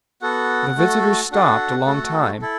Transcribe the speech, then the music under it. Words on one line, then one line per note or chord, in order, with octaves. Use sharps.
The visitors stopped a long time.
B3 F#4 A4 F#5
A3 F#4 A4
D4 F#4 A4 F#5
A3 F#4 A4
E4 A4